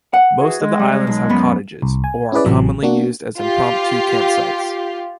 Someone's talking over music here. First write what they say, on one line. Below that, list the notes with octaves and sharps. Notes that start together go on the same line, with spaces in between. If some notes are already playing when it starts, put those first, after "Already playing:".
Most of the islands have cottages or are commonly used as impromptu campsites.
F#5
E3 F#4 G#4
G#3
G3
B1
F#2 B3
C2
G#5
C#4 E4 G#4 B4 D5
A1 A2 C3 E3 F#3
A#3 D4 F#4
F4 G4